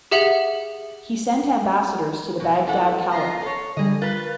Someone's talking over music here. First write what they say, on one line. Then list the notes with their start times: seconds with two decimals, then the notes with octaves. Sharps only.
He sent ambassadors to the Baghdad caliph.
0.11 G4 G#4 E5 F#5 F#7
2.40 B2
2.67 E3 A4 F#5
3.11 B3 F4 A#5 A#6 C7
3.42 A4 C#5
3.77 D3 G3 G#4 D#5
4.01 F4 A#4 B4 F#6 A6